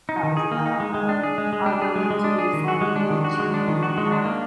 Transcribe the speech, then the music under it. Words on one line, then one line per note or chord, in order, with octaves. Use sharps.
that was about, um, I know them to be funny and chill and laid back,
D#4
D#3
G#4
A#3
D#4
G#3
G#3
D4
G#4
G#3
G#3
D4
G#4
G#3
G#3
D4
G#4
D#3
F#4
G#3
D4
D#3
F#4
G#3
D4
D#3
F#4
G#3
D4
A#3